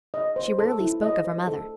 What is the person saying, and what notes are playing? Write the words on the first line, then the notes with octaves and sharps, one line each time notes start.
She rarely spoke of her mother.
D#5
C5
A4
E4
D#5
C5
A4